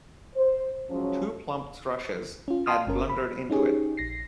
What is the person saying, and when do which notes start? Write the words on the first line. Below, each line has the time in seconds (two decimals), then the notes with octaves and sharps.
Two plump thrushes had blundered into it.
0.35 C5
0.89 F3 F#3 G#3 C#4
2.48 C#4 F4
2.66 F5 G5 A5 C6 D#6 F6
2.87 G1 C#4 A#4
3.09 B5
3.50 C#4 D#4 G4 G#4 C#5
3.97 A#1 A#6 C7